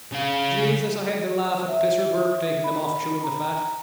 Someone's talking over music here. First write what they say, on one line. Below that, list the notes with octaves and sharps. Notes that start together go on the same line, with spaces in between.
Jesus, I had to laugh at pisser Burke taking them off chewing the fat.
C#3 F5
E5
B5
A#5